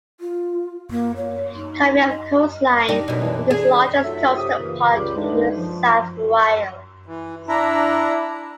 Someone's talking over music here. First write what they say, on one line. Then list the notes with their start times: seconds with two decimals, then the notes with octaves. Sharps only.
Covering of coastline, it is the largest coastal park in New South Wales.
0.20 F4
0.91 A#3
1.16 C#5
1.56 D#4
2.09 D#5
2.89 G3 D4 D#4
3.08 F#2 B2
3.21 E3 D4
3.50 G#4
4.03 F#3 A3 D#4 F4 E5
4.37 C3 G4 D#6
4.58 A#2 C#3 E3
4.93 C#2 G3 G4
5.15 D3 E3 G#3 D4 D#4
5.56 F3
7.06 E3
7.48 D4 E4 A#5